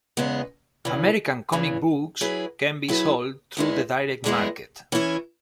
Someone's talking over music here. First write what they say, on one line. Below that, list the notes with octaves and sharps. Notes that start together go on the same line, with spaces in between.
American comic books can be sold through the direct market.
E2 C#3 G#3 B3
E2 C#3 E3
E2 C#3 E3
F#3 E4 G#4 B4
F#3 E4 G#4 B4
E2 E3 G#3 B3 E4
E2 E3 G#3 B3 E4
E3 C#4 E4 C#5